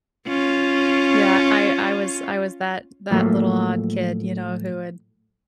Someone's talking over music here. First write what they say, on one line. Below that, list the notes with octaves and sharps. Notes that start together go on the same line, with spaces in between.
Yeah, I I was I was that that little odd kid, you know, who would
C#4 F4
A2 F3 F#3 A3 A#3